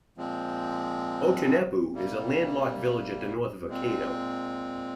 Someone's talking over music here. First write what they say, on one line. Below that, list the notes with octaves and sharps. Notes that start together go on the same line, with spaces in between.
Otoineppu is a landlocked village at the north of Hokkaido.
A#2 F3 G#3 C4
C3 G3 A#3
A#2 G#3 C4